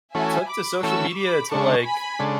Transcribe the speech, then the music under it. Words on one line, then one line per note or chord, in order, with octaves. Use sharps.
took to social media to, like,
E3 A3 C#4 F#4 A4 E5 G#5
B5 D6
E3 A3 C#4 F#4 A4 C#6 E6
B5 D6
C#3 G#3 D4 A4 A5 C#6
G#5 B5
C#3 G#3 D4 A4